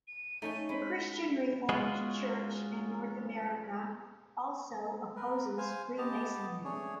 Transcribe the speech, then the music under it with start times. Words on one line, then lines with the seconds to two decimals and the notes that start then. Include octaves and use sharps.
The Christian Reformed Church in North America also opposes Freemasonry.
0.08 D#7
0.42 A3 C#4 D#4 G#5
0.69 G#3 B5
1.69 G#3 C#4 F4 F#4 G#4 D#5
5.16 A#4 B4
5.58 C5 F5 G#5
5.98 B3 G4 D#5 A5
6.64 A3 D4 G#4 C#5